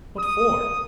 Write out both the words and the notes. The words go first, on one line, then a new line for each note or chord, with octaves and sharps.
What for?
D#6